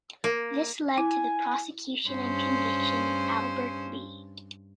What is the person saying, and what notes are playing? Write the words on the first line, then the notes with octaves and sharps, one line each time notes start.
This led to the prosecution and conviction of Albert B.
A#3
E4 G#5
G2 C#4 C5